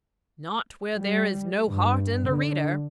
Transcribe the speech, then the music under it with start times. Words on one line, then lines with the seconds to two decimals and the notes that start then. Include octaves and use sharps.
"Not where there is no heart in the reader."
0.98 G3
1.66 G2
2.28 D3